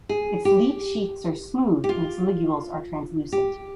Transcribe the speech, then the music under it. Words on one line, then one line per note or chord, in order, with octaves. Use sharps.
Its leaf sheaths are smooth and its ligules are translucent.
G#4
G4
G4
F4
G4